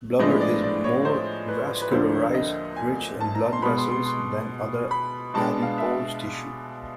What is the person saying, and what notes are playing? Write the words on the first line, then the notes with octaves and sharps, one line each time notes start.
Blubber is more vascularized-rich in blood vessels-than other adipose tissue.
A2 F3 G#3 B3 D4 D#5
D5
D5
C#5
C5
B4
B4
D2 D3 F3 A#3 D4 C5
D#5
G#5
A5
A#5
C6
B2 G#3 B3 B5
C6
C6
C6
B5
B2 G#3 B3 D4 A5
F5
E5